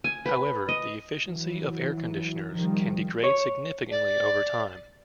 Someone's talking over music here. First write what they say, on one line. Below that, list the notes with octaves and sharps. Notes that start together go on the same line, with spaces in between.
However, the efficiency of air conditioners can degrade significantly over time.
G#5
B4
D#5
E3 F#3
D#3 F3 G3
C#5
D5